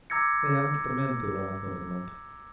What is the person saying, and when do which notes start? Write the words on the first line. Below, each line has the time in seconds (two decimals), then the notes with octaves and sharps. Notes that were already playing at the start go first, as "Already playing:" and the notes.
They haven't the men to run a government.
0.10 A#5 D6 E6 G#6 A#6 C#7